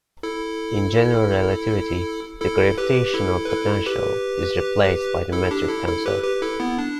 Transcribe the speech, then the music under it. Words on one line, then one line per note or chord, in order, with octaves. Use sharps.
In general relativity, the gravitational potential is replaced by the metric tensor.
E4 A4
E4 A4
G4 B4
G4
E4 A4
B4
E4 A4
G4 B4
E4 A4
D4 G4
E4 A4
E4 A4
G4 B4
G4 B4
E4 A4
B3 E4
D4